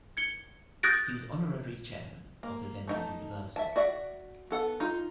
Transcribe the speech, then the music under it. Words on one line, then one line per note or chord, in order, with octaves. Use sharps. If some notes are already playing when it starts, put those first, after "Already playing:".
He was Honorary Chairman of Vivendi Universal.
G#6 C#7 G7
D#6 F#6 G6 A6 A#6 D7
A#3
A3 D#4 A5
E5 A5
F#4 D5 E5 F#5
B3 A4 F#5
D#4 F4